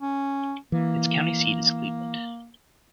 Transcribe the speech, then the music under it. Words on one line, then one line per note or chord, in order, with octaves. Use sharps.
Its county seat is Cleveland.
C#4
E3 A#3